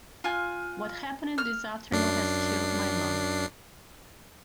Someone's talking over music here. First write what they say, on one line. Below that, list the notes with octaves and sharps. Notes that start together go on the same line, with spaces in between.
What happened this afternoon has killed my love.
F4 G#5 F#6
F6
F#2 D4 C7